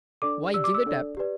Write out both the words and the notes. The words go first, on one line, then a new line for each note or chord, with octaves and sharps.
"Why give it up?"
D4 A4 D5 D6
G4 D5 E6
D6
E6
D4 A4 D5
G4 B4 D5